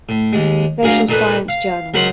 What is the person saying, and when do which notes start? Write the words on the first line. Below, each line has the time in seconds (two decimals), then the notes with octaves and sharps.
The Social Science Journal.
0.09 A2
0.33 D#2 G#3
0.83 D2 G#4 A#4 F5 A#5
1.09 A#2 D#4 A4 B4
1.48 F5
1.94 C#2 F#3 A#4 C5 B5 D#6